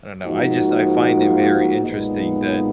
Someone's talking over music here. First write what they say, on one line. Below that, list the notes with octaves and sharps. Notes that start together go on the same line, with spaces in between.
I don't know, I just I find it very interesting that
G#2 F3 A#3 D#4 F#4
B1 A#2 G#3 B3 D#4